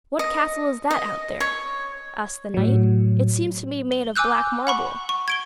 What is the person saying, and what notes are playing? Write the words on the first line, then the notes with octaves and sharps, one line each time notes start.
'What castle is that out there,' asked the knight; 'it seems to be made of black marble?'
D#5
D#5
C#5
A2 F#3
G7
G#5 D6 E6 F#6 G6
F#5 B5 C#6
C#6
G#6 D7 G7